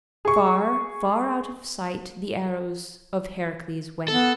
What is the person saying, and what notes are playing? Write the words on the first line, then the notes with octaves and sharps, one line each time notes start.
Far, far out of sight the arrows of Heracles went.
G#4 C#6
B3 A4